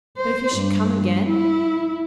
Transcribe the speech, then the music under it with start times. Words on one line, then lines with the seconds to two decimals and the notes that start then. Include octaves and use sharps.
"But if he should come again?"
0.17 C5
0.57 G2
1.28 E4